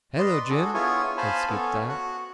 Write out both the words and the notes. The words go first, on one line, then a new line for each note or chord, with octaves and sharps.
"Hello, Jim!" and skipped out.
B4 D5 D#5 C6
D4 F#4 G#4 A4
B3 E4 F4 G#4 C#5 G#5
C5 F5 G#5 A5 B5
B3 C#4 A4
F#4 F#5